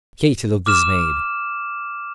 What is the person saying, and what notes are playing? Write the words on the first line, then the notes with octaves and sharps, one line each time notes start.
Katy looked dismayed.
D6 F6 E7